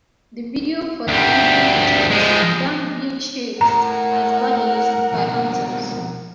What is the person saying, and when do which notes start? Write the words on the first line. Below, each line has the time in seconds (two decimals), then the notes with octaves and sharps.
The video for The Ending features the band being chased as bunnies by hunters.
1.08 D2 G3
2.10 F3 G#3
3.61 A2 A#4 F#5 A#5
5.13 F2 B2